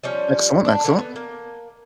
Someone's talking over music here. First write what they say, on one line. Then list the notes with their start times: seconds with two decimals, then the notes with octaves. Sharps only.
Excellent, excellent.
0.03 F3 G3 C#4
0.65 D4
0.84 D3 E3 A#4 F#5
0.99 B3
1.16 A#3